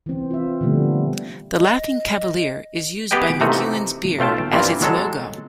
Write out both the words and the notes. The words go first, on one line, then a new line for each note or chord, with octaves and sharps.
The "Laughing Cavalier" is used by McEwan's beer as its logo.
E3 C4
F4 E5
A#2 D3 F3 G3 A3 B3
D#5
B3 G4 G#4 B4 D#5 G5
C3 E3 A3 A#3 D#4 F#4
B1 A3 F4 G5 A5
G2 E3 A#3 C4 C#4 F4
F#3 G#3 A4